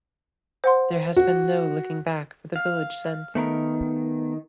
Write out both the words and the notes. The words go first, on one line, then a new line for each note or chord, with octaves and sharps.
There has been no looking back for the village since.
C5 F#5 C6
F#4
F5
D#3 A3 B3 A#4